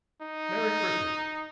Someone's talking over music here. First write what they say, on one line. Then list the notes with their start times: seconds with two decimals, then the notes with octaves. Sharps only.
Merry Christmas!'
0.22 D#4